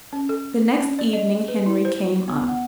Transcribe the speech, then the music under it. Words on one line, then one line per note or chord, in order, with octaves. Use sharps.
The next evening Henry came up.
C#4
A4
C#4
D5
D#5
B4
E4
C5
B3
F#5